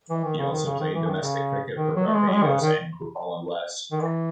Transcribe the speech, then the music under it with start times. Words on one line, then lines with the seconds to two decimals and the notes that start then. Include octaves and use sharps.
He also played domestic cricket for Barbados and Griqualand West.
0.10 E3
0.24 D#3
0.38 C#3
0.52 D#3
0.66 C#3
0.79 D#3
0.94 E3
1.07 D#3
1.21 C#3
1.77 D#3
1.96 F#3
2.07 A3
2.14 G#3
2.28 F#3
2.33 G#3
2.43 D#3
2.47 C#3
2.61 D#3
3.92 D#3
4.01 E3